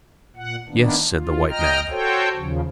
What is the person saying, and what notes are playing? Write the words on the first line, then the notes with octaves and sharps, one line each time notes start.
"Yes," said the white man.
A#2 F#5
D#3 A#3 B3 D4
F4
D#5 G5 A#5 F6
F#4 A4 C5 C#5 G5
D#2 C#3 F3